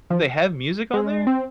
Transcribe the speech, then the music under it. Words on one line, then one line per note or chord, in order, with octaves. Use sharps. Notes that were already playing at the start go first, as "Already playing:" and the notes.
Did they have music on there?
F3
G#3
C4